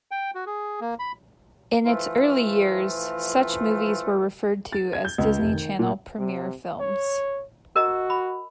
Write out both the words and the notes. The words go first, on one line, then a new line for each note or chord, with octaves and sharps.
In its early years, such movies were referred to as Disney Channel Premiere Films.
G5
F#4
G#4
A#3
B5
E3 F3 A3 F4
A6
G#6
G6
C#2
F1
D#3
A#2
C3
C#5
F#4 A#4 D#5 A#5
B5